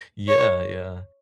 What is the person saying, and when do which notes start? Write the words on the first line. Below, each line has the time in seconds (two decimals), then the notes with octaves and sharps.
Yeah, yeah.
0.28 C#5